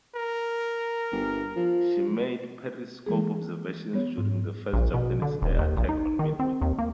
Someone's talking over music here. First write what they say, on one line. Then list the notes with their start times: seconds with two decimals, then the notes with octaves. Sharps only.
She made periscope observations during the first Japanese air attack on Midway.
0.15 A#4
1.12 G1
1.56 F3
3.06 E3 G3 G#3 A#3 G#4
3.93 G3 B3 C#5
4.18 G#2
4.73 A#1
4.94 B2
5.22 D3
5.42 D#1
5.59 D#2
5.77 A#1
5.89 D#4
6.19 D#3
6.40 C4
6.62 D#2
6.78 A#3